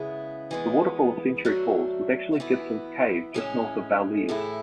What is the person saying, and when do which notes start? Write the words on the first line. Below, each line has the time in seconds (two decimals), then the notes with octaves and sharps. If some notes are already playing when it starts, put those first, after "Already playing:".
The waterfall of Century Falls was actually Gibson's Cave, just north of Bowlees.
Already playing: C#3 G#3 B3 E4 G#4
0.51 E3 G#3 B3
1.45 F#3 A3 D4 F#4
2.40 E3 B3 E4
3.34 A2 E3 G#3 C#4
4.17 A4
4.28 A2 E3 A3 E4 G#4